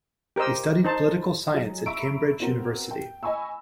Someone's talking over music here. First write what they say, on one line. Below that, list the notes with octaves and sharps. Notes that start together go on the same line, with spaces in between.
He studied political science at Cambridge University.
G4 A#4 C5 D#5 E6
D#4 C5 A5
F#3 G#4 D#5
E5 A#5 B5 C#6 E6 D7
B3 C4 F#4 A#4
G5
D#5 G#5 B5 C#6 E6